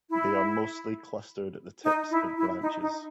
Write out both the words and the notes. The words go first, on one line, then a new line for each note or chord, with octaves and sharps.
They are mostly clustered at the tips of the branches.
E4
D#4
E4
E4
D#4
D#4